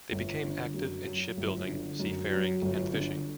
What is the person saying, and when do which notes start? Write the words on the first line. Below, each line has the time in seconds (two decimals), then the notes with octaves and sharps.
They became active in shipbuilding, seafaring and fishing.
0.12 G1
0.43 D3
0.74 F#2
1.05 F#3
1.37 G1
1.68 D3
1.99 F#2
2.30 F#3
2.62 G1
2.93 D3